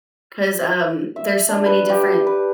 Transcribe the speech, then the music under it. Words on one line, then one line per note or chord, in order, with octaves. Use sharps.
'cause, um, there's so many different
E5
D4
B4
G4
B4